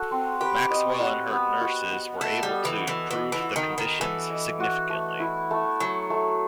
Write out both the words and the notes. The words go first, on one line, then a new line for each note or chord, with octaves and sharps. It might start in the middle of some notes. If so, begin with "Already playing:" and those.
Maxwell and her nurses were able to improve the conditions significantly.
Already playing: F#4 A4
C4
G4 B4
D#5
F#4
B3
F#4
B3
A3 A4
G3
B3
E3
F#4
E3
E3 D#5
E3
F#4
D#3
B3
D#3
E3 A4
D#5
F#4
A3
E4
A3
F#3 A4
A3